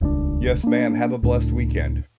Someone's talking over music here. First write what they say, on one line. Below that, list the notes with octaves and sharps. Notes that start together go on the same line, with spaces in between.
Yes, ma'am, have a blessed weekend.
D#1 C#2 B2 D4
A#3 D4
C#2 A2 D4